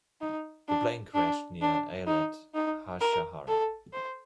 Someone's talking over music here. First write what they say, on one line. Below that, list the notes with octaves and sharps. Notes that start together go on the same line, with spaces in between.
The plane crashed near Ayelet HaShahar.
D#4
D4
D4
D4
D#4
D#4
A#4
A4
C5